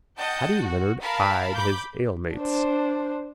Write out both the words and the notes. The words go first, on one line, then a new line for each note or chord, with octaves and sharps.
Paddy Leonard eyed his alemates.
D#5 F#5 G5 A5 G6
F#4
A#4 F5 A5 B5
B5 D6 G6
D4 C5